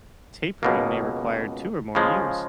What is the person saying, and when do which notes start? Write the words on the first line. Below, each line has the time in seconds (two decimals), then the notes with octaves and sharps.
Tapering may require two or more years.
0.63 C#2 B2 A#3
1.95 C#3 F3 G#3